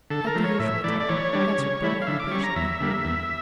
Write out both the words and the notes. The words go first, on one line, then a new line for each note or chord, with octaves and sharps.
"At the usual time," answered Berwin impatiently.
D3 A4
A#4
F3 A3
C#5
A2 E5
E3 A3 D5
D5
E3 C#5
G3 D4
C#3
E3 A3 E4
F5
D3 E5
D6
G3 C#4 C#6
A#5
E2 E5
D3 G3 A#3
E2